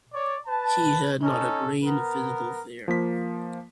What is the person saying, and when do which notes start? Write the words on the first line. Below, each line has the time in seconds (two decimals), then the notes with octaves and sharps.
He had not a grain of physical fear.
0.13 C#5 D5
0.47 B4 A5
1.23 C#4 D#4 A4
1.84 B3 A#4
2.88 F3 A#3 B6